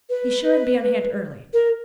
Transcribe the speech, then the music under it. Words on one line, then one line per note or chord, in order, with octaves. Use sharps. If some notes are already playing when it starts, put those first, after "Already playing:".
"Be sure and be on hand early."
B4
A#4